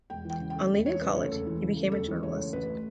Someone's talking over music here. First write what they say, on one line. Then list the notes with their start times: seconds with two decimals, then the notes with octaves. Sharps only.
On leaving college, he became a journalist.
0.10 E1 G5
0.25 E3
0.30 G5
0.40 C#3
0.50 G5
0.55 D2
0.71 E1
0.86 E3 C#5
1.01 C#3 B4
1.16 D2 C#5
1.32 E1 A4
1.46 E3
1.62 C#3
1.77 D2
1.92 E1 A4
2.08 E3
2.23 C#3 C#5
2.37 D2
2.53 A1 B4
2.69 A3